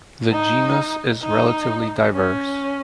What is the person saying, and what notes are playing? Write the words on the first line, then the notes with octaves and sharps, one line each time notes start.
The genus is relatively diverse.
D#4
D#4
C#4